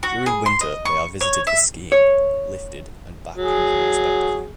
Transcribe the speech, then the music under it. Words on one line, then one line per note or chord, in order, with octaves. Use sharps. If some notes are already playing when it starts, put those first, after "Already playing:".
During winter they are visited for skiing, lifted and back country respectively.
F#4
G#4
C6
D#5
C#6
C#5
E5
C#5
F#3 G#4